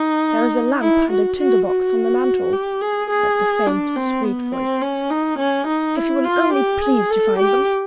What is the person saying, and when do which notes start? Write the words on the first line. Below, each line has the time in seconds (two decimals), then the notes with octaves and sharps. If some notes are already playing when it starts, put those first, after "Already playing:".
"There is a lamp and a tinder-box on the mantel," said the faint, sweet voice, "if you will only please to find them."
Already playing: D#4
0.82 E4
1.10 F#4
1.39 F#4
1.68 F#4
2.53 G4
2.81 G#4
3.10 G#4
3.67 D4
3.96 C4
4.25 B3
4.53 C4
4.81 C#4
5.11 D#4
5.38 C#4
5.67 D#4
5.96 E4
6.24 F4
6.53 G4
6.81 G#4
7.10 A4
7.38 G4